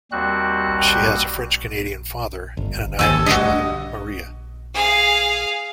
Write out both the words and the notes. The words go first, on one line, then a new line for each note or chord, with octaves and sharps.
She has a French-Canadian father and an Irish mother, Maria.
D#2 G3 C4 F#4 F#6
G1
G#1 D#2 A4 G#5 E6
D2 G2 F#4 D#5
G#4 F5